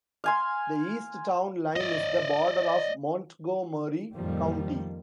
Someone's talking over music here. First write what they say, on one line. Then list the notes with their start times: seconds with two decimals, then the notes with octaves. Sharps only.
The east town line is the border of Montgomery County.
0.24 F5 G#5 C6
1.77 D5 D#5
4.15 F2 A2 D#3 F3 G3 A#3